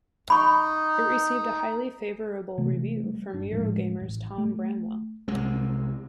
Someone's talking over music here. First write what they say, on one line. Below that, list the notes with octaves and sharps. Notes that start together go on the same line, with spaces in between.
It received a highly favourable review from Eurogamer's Tom Bramwell.
D#4 B5 C#6
C3 E3 A3
G3
G1 D4
D#2 A2 F3 G#3
A1
A3
C2 C3 G#3